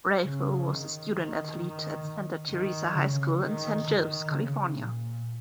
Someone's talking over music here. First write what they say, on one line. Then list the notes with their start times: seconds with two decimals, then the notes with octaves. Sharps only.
Bravo was a student-athlete at Santa Teresa High School in San Jose, California.
0.22 C#3
0.66 D#3
1.13 D#3
1.58 D#3
2.48 D#3
2.94 C#3
3.40 D#3
3.85 D#3
4.30 C#3
4.75 A#2